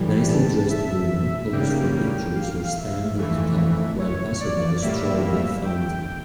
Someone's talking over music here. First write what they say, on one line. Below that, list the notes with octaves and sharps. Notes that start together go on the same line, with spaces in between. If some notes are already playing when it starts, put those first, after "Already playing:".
Nicely dressed woman pose for pictures or stand and talk, while passersby stroll by a fountain.
Already playing: A2 E3 G3
A5
E5
C#3 G3 A#3 G5
F5
E5
F2 E3 A3 E5
C#5
D5
A2 G3 A#3 E5
G5